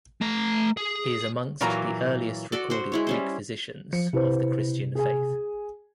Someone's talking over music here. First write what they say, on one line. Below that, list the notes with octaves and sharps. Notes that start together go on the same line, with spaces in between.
He is amongst the earliest recorded Greek physicians of the Christian faith.
A3 A#5
G#4
A#2 E3 F#3 A#3 A#5
F#4 A4 D5
F#4 C5
G#3 E4 C#5
G3 C#4 C5
F3 C#7
C3 E4 B4 C5
G#4 G#5